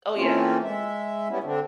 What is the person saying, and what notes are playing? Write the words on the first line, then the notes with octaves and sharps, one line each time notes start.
Oh, yeah.
E3 A3 A#3 C4 C#4 F4
G#3 E5
G3 B3 C#4 E4
D3 C4 D4